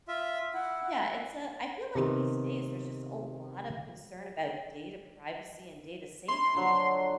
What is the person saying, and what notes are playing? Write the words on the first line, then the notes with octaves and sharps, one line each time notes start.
Yeah, it's a I feel like these days, there's just a lot of concern about data privacy and data safety
F4 E5
E4 F#5
C3 D#3 B3
E4 C6
D3 F3 F#3